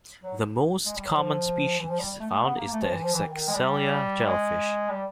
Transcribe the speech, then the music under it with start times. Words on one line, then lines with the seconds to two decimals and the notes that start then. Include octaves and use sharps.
The most common species found is the "Essexella" jellyfish.
0.23 F#3
0.85 G#3
0.96 G3
1.07 F#3
1.17 F3
1.78 E3
1.88 F3
1.99 G3
2.20 A3
2.30 A3
2.41 B3
2.56 A#3
2.66 A#3
2.72 A3
2.82 F3
2.92 E3
3.03 F3
3.13 E3
3.24 D#3
3.34 D#3
3.48 G#3
3.54 G3
4.27 G#3
4.89 G3